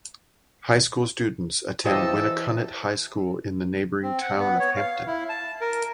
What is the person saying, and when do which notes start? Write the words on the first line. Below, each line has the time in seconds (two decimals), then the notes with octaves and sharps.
High school students attend Winnacunnet High School in the neighboring town of Hampton.
1.86 E3 G4 C5 D#5 F5 A5 E6
4.03 C4
4.21 F#5
4.39 B3
4.60 C#5
4.76 F5
5.07 E4
5.29 A5
5.61 A#4